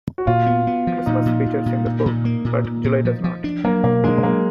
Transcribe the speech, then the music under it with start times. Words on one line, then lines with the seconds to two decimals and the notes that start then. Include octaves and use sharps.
Christmas features in the book, but July does not.
0.18 F#4
0.27 A#2 F4
0.46 B3
0.67 B3
0.87 F3
1.06 A#2 D#4
1.26 A#2
1.46 A#2
1.66 A#2
1.86 A#2
2.06 A#2
2.25 A#3
2.45 A#2
2.64 A#2
2.84 A#2
3.05 F3
3.24 F3
3.44 D4
3.64 F#3 A#3
3.83 B2 A#3
4.04 G#3 D4
4.23 F#3 A#3